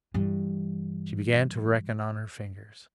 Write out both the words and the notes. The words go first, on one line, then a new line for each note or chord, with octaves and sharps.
She began to reckon on her fingers.
G2 E3